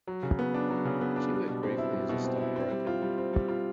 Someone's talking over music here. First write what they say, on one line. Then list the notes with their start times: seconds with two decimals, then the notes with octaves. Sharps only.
She worked briefly as a stockbroker.
0.07 F#3
0.23 C#3
0.39 B3
0.54 D4
0.70 F#3
0.85 C#3
1.01 B3
1.16 D4
1.32 G3
1.48 B2
1.63 C4
1.78 E4
1.93 G3
2.09 B2
2.25 C4
2.41 E4
2.56 C4
2.71 G3
2.87 F4
3.02 G3
3.18 C4
3.33 G3
3.49 F4